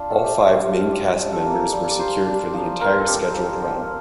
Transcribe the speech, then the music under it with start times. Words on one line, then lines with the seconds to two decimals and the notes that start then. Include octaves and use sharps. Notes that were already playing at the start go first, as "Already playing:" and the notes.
All five main cast members were secured for the entire scheduled run.
Already playing: D4 F4
0.10 A3 A4
0.24 G4
0.37 A3 F4
0.52 G4
0.65 F4
0.91 F4 G4
1.18 D4
1.33 A4
1.46 A#3
1.72 G3
1.90 D5
1.99 F4 C5
2.26 D4
2.54 F3
2.80 F4 A#4
2.99 A4
3.07 C4 G4
3.34 F3
3.61 F3